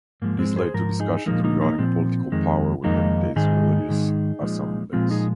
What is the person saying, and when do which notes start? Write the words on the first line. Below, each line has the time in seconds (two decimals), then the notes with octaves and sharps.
This led to discussions regarding political power within these religious assemblies.
0.22 G#2 F3 G#3 A#3
0.39 G#3 C4
0.56 G#4 C5
0.74 G#2 F3 A#4
1.00 D#4 G#4
1.26 A#2 F3 G#3 A#3 D#4
1.44 A#3 D#4
1.61 A#3 D#4
1.78 A#2 F3 G#3 C4
2.32 F2 D#3 G#3
2.84 F2 D#3 G#3 A#3 D#4
3.36 G#2 D#3 G#3 D#4 G#4
3.89 G#2 D#3 G#3
4.41 A#2 F3 G#3
4.93 A#2 F3 G#3 C4 F4
5.10 D#4 G#4